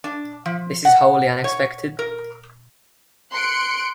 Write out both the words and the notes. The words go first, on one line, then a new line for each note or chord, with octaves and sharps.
This is wholly unexpected.
D4
F3
F#5
C#5
A#4
C6 F#6 C#7 D7